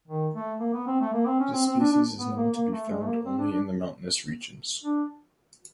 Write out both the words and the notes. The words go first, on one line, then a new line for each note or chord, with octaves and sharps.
This species is known to be found only in mountainous regions.
D#3
A3
A#3
B3
C4
A3
A#3
C4
C#4
C4
C4
D4
D4
B3
A#3
A#3
A3
G#3
A3
A#3
C4
D4
D4
D4